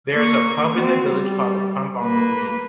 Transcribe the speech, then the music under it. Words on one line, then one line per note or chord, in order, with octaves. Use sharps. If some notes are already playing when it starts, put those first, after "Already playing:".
There is a pub in the village called the "Pump on the Green".
A#3 C#6
C4 F#4
G3
A#3 B4